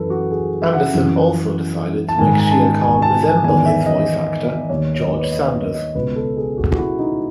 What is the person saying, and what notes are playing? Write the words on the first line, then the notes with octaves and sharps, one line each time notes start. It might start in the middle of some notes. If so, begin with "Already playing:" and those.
Anderson also decided to make Shere Khan resemble his voice actor, George Sanders.
Already playing: F#2 E3 A4 B4
F#4
G#4
E5
F#5
F#2 E3
A5
G#2 D#3 G#5
G#5
A5
G#5
A5
G#5
E2 D#3 G#5
E5
D#5
D#2 D#3 C#5
C#5
D#5
B4
C#5
D#5
D#5
D#5
C#2 B2 B4
A4
G#4
F#4
F#4
E4
D#4